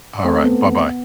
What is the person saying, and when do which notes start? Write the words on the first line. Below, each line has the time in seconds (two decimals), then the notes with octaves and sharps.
Alright. Bye-bye.
0.25 A3 C4 A4
0.44 B3